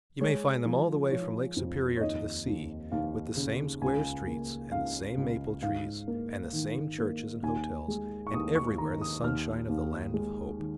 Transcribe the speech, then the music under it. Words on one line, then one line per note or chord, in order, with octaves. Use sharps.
You may find them all the way from Lake Superior to the sea, with the same square streets and the same maple trees and the same churches and hotels, and everywhere the sunshine of the land of hope.
G#3 C#5
F3
F3 C#5
F2
C#5
D#2 D#5
D#2
D#2 F5
C#3
C#2 G#5
A#3
C#2 F5
C#2
G#2 F5
A#3
D#3
A#3
D#2 G#5
G#3
C#6
D#2 D#6
C#6
D#3 A#5
D#6
D#2 F6
D#2
G#3
D#3